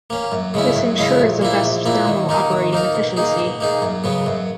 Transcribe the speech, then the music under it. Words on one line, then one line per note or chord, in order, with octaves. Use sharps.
This ensures the best thermal operating efficiency.
A#3 C#4
F#2
C#3 G#3 C#4 E4
F#2
C#3 G#3 C#4 E4
A#1
A#2 A#3 E4
A#1
A#2 A#3 E4
D#3
A#3 D#4 A#4
D#3
A#3 D#4 A#4
B2
A#3 D#4 G#4
B2
A#3 D#4 G#4
F#2
C#3 F#3 B3
F#2